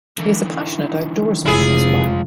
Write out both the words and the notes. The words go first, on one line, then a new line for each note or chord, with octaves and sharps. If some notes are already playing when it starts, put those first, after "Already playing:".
He is a passionate outdoorsman as well.
D3 E3
F1 G#3 E4 F4 G#4